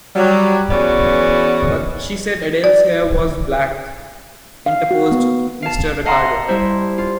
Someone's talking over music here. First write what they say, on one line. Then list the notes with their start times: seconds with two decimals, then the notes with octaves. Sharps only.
"But she said Adele's hair was black," interposed Mr. Ricardo.
0.16 F#3 G3
0.70 E3 B3 C#4 F#4 G#4 D5
2.64 D5
4.66 F5
4.91 F#4
5.11 B3
5.62 F5 A5
6.06 D#5 F5 F#5 A5 A#5 C6
6.48 G3 E4 C5
6.98 F4